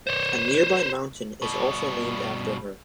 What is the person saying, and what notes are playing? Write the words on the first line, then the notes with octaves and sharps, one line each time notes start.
A nearby mountain is also named after her.
C5 C#5
G2 B2